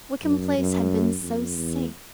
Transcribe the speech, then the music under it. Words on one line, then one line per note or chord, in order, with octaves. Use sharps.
Wickham Place had been so safe.
F#2
F#2
F2
E2